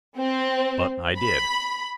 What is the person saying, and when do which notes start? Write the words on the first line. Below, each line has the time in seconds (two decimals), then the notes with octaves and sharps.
But I did.
0.16 C4
1.18 B5